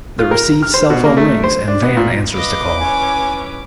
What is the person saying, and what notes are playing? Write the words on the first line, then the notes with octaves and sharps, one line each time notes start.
The received cell phone rings and Vann answers the call.
F4
A#4
F6
C5
B2
A#3
A3
C5
D4
B3
A#2
B4 D#5 F5 D6
E3 C#4 G#5